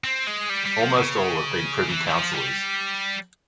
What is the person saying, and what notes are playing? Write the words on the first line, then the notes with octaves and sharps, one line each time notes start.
Almost all have been Privy Councillors.
C4
G#3
G3
G3
F3
C#3
E3
E3
F3
G3